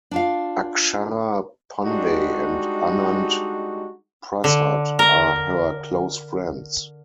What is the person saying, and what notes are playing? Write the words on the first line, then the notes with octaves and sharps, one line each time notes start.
Akshara pandey and Anand Prasad are her close friends.
D4 F4 F5
G3 G#3 D4 D#4 F#4
D3
A#4